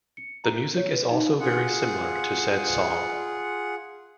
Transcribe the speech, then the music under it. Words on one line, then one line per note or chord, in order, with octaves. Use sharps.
The music is also very similar to said song.
C#7
A#5
C#5
B4
D#4
F4 G#4 F#5